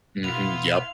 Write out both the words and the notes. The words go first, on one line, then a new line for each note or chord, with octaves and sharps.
Mhm. Yep.
B2 E4 B4 F5 F#5 C6 F7